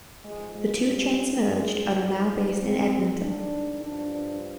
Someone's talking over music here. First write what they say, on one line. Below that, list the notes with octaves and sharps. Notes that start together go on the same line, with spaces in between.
The two chains merged and are now based in Edmonton.
G#2 F3 G#3
G#3
G3
G#2 F3 G#3
G#2 D#3 C4
D4
G2 F3 D4
D4